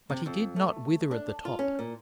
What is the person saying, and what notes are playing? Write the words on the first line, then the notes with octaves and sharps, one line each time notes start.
But he did not wither at the top.
C3
F2
A3
D4
F4
C#4
A#2